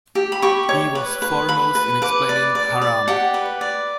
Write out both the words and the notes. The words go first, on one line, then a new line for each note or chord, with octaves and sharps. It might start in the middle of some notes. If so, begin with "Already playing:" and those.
He was foremost in explaining Dharma.
G4
B5
G4 C#6
C#5
B4
B4
B4 B5
B4
B4 D6
D5
D5
D5
G4 F#5
B4
D5